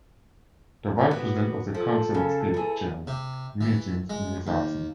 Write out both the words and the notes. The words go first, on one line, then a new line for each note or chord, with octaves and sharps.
The Vice-President of the Council of State chairs meetings in his absence.
B3 F#4 G4
F3 A4
C#3
E3 G#4
C3
E3
G#3
D#2